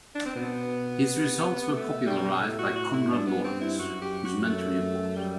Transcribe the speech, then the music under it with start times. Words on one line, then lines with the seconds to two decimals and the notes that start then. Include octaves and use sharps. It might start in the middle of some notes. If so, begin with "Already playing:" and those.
His results were popularised by Konrad Lorenz, whose mentor he was.
0.15 D4
0.26 C4
0.36 B2 B3
1.03 C3
1.72 B2 A3
2.07 G3
2.41 A2 A3
2.59 F#4
2.76 F#4
2.93 E4
3.10 G2 D4
3.26 B3
3.44 C4
3.61 E4
3.79 F#2 F#4
4.02 G4
4.25 F#4
4.47 A3
5.16 G3